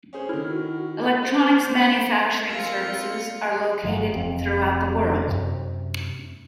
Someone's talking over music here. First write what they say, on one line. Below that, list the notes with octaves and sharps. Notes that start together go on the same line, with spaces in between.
Electronics manufacturing services are located throughout the world.
C#4 G#4 C5
D#3 E4 A4 F6
F#4
C5
G#3 C4 F4 A4 A#4 C6 C#7
G1 E3 F#3 A#3
F1 F2 C4
F#2 C3